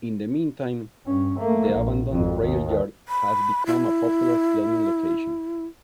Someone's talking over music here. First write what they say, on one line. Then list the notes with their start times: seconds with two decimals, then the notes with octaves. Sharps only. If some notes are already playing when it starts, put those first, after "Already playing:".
In the meantime, the abandoned railyard has become a popular filming location.
1.07 G2 C#4
1.38 A3 A#3
1.72 A#1
2.12 G#1 F2
2.43 D#2
3.09 B5
3.66 E4